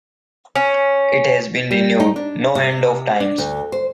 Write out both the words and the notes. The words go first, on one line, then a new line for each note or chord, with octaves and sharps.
It has been renewed no end of times.
C#4
G3
D#4
D4
C3
D4
D2
C5